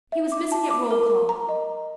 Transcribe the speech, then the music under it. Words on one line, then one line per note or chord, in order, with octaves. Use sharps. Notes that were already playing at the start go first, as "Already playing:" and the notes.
He was missing at roll-call.
E5
D6
A5
D6
A#4
A#4
A#5
D#5